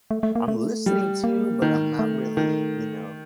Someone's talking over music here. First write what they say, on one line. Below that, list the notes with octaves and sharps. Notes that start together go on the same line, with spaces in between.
"I'm listening to you, but I'm not really, you know,
A3
A3
A#3
A3
G3
A#3
D#3
A3
D#3